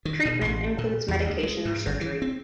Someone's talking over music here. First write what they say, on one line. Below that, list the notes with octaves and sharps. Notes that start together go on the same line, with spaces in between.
Treatment includes medication or surgery.
D#3
B2
A1
A#2
E2
D2
G#3
G#2
G1
E3
C4